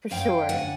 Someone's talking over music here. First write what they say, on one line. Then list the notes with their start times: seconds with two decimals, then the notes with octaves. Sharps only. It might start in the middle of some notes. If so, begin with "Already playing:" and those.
For sure.
0.11 F#2 F5 G5
0.49 D3 F#5 G#5